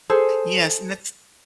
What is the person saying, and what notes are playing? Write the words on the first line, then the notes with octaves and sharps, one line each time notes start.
Yes, and that's
G#4 A4 C5